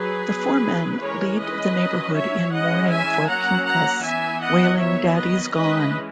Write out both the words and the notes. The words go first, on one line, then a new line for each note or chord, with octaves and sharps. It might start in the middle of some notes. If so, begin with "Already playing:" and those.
The four men lead the neighborhood in mourning for Quincas, wailing Daddy's gone!
Already playing: F#3 G#4 B4
F#3 B3
E3 G#3 C#4 A#4 C#5
B4 D#5
F#3 C#4
C#5 E5
E3 G#3 C#4 D#5 F#5
E5 G#5
F#3 A#3 C#4 F#5 A#5
F#5 A#5
E3 B3 E5 G#5
D#5 F#5
D#3 F#3 B3 C#5 E5
B4 D#5
E3 G#3 C#4 B4 D#5